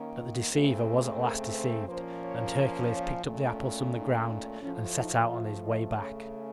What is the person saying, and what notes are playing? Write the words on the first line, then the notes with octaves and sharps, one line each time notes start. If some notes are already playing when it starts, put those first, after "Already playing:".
But the deceiver was at last deceived, and Hercules picked up the apples from the ground and set out on his way back.
Already playing: D#3 A#3 C#4
F4
C#3 A3 C4 F#4
A4
A#4
C5
A#2 F3 A#3 C#4 C5
C#5
C#5
A#2 A3 C#4
D#4
D#4
A2 F3 A3 C#4
D#4
F4
D#5
C#3 A3 C#4 C#5